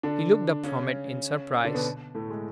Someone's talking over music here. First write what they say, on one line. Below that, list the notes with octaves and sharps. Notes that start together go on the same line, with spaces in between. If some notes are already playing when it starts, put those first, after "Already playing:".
He looked up from it in surprise.
D3 D4
C#3 C#4
D3 D4
B2 B3
A2 A3
G#3